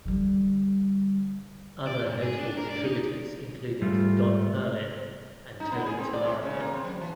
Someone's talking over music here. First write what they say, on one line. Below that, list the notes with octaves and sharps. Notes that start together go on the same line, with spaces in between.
Other notable contributors included Don Perlin and Tony Tallarico.
D3 G3
D5
G#2
G#4
D4
A#4
D5
D#4
G#2 G3 A3 F4
D#4
B3
G#4
C4
D5
G#3
C#3
A#3
C4
F#3
E3